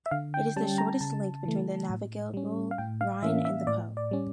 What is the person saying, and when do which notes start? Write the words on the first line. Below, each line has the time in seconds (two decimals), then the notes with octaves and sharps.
It is the shortest link between the navigable Rhine and the Po.
0.06 E5
0.11 D3 F5
0.34 G5
0.56 G3 C#4 A5
0.78 A#5
1.01 C#3 A5
1.45 E3 A3
1.90 A2
2.34 G3 C#4
2.71 F5
2.78 A2 G5
3.01 F5
3.23 E3 A#3 C#4 E5
3.45 E5
3.67 A2 D5
3.97 D5
4.11 G3 C#4